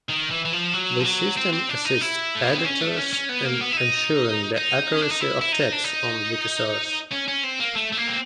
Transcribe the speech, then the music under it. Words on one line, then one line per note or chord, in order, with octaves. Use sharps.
This system assists editors in ensuring the accuracy of texts on Wikisource.
D#3
E3
E3
F3
F#3
F3
F#3
C4
C4
D4
D#4
E4
A3
A#3
B3
C4
C#4
A3
C#4
C#4
B3
A#3
B3
E4
D#4
D#4
C#4
D4
D#4
E4
E4
D#4
D4
D#4
C#4
C#4
C4
A#3
A3
A3
A#3
C4